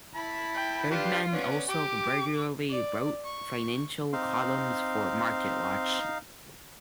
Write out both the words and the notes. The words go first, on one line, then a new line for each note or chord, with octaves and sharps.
Erdman also regularly wrote financial columns for Marketwatch.
E4 A5 B5
G5
D4 F4 G4 B4
B3 C#4 D5
G4 D6
D5
C#6
C4 D#4 F5